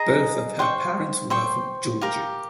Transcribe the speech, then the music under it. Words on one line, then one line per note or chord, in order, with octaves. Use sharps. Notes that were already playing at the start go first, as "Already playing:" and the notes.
Both of her parents were from Georgia.
Already playing: G#4 D#5 A#5
C5 G5 C#6
C5 G5 C#6
G4 A#4 F5